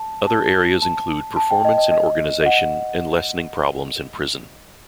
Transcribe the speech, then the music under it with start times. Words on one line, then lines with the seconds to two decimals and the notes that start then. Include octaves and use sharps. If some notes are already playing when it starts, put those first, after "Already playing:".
Other areas include performance in organization and lessening problems in prison.
Already playing: A5
0.27 A5
0.82 A5
1.37 A5
1.51 G5
1.65 D#5
1.78 D#5
1.92 D#5
2.42 D#5
2.46 F#5